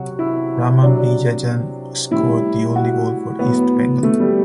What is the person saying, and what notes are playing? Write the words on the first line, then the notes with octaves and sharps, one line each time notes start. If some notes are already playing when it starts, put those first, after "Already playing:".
Raman Vijayan scored the only goal for East Bengal.
Already playing: C3 F#3 F#4
E4
C3 F#3 D4
A2 G3 E4
F#4
A2 F#3 B3
A3
G3